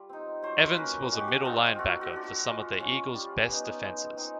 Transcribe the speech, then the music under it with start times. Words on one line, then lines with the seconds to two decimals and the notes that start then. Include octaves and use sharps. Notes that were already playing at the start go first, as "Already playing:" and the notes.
Evans was a middle linebacker for some of the Eagles best defenses.
Already playing: G3 F4
0.09 C4 D#4
0.43 F#3 C5
0.63 C5
0.71 B4
0.77 A#3 C#4 A#4
1.11 G#3 F#4
1.20 G4
1.28 F#4
1.44 C4 D#4 F4
1.69 F4
1.79 A3 F#4
2.01 F#4
2.13 D4 F4
2.24 F#4
2.46 G#3 F4
2.80 C#4 F4
3.15 G3
3.49 B3 D#4
3.83 G#3
4.17 C4 D#4